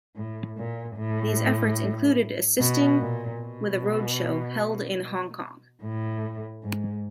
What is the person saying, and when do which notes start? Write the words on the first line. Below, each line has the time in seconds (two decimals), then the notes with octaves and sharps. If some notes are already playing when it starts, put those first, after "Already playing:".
These efforts included assisting with a road show held in Hong Kong.
0.16 A2
0.57 A#2
0.97 A2
2.59 B2
3.00 A#2
3.40 B2
5.82 A2
6.63 G#2